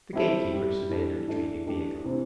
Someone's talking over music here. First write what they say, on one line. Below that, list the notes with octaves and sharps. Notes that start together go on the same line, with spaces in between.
The gatekeeper surveyed the retreating vehicle.
G3 C4 E4 A4
G3 E4 G4
E3 G3 D4 A4
E3 A3 D4 A4
E3 A3 D4 G4
C3 E3 C4